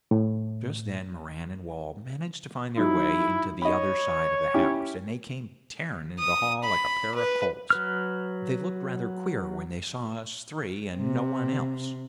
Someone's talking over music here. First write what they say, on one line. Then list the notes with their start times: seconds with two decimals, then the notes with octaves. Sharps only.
Just then Moran and Wall managed to find their way into the other side of the house, and they came tearing into the hall like a pair of colts. They looked rather queer when they saw us three and no one else.
0.11 A2
2.77 F#3 D#4 E4
3.62 C#5 D#5 B5
4.54 C#4 E4 G4
6.19 D#6
6.63 B5
7.15 B4
7.70 F#3 B4 F6
10.97 C3